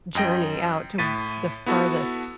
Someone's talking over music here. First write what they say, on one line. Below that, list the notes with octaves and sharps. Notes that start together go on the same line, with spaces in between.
journey out to the furthest
F#2 D#5 G5 A#6
A2 A6 B6 D#7
B3 E4 F#4 A4